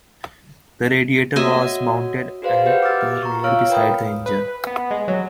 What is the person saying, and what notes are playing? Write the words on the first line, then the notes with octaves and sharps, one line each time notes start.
The radiator was mounted at the rear beside the engine.
F#4 C#5 D#5 E5 G#5
F#4 G#4 B4 C5 D5 F5
F#4 G4 B4 E5 F#5 G6
D6 E6 F6 A6
A#5 C#6
F4 C#5 F5 E6 F6 D7
A#4 B4 G5 B5 D#6
B4
B3
G#3
F#3